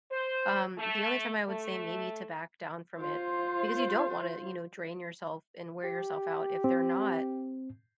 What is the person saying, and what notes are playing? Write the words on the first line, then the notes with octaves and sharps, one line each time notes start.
Um, the only time I would say maybe to back down from it because you don't wanna, you know, drain yourself and wear yourself out if they're not,
C5
A3
A3
F4 C5
G4
C4